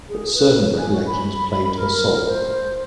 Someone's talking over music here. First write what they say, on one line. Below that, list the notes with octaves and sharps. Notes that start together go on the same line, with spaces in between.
But certain recollections plagued her soul.
G#4
B4
G#5
F#4
B5
A#4
C5